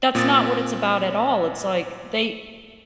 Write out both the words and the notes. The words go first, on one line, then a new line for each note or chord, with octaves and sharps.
that's not what it's about at all, it's, like, they
A#2 C4 D#6 A6